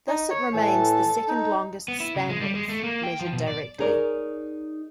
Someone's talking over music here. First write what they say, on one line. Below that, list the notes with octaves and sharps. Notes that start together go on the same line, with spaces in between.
Thus it remains the second longest span width, measured directly.
D#4
C#5
A2 E3 A4
D#4
B3
E4
C#3
G#3
G3
G#3
A3
A#3
G5
F3
B2
D5
D#4 G#4 A#4 C#5 D5